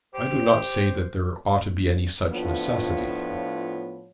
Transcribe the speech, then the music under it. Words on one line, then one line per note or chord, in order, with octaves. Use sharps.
I do not say that there ought to be any such necessity.
G4 C5
A2 F3 B3 D4 F4 C#5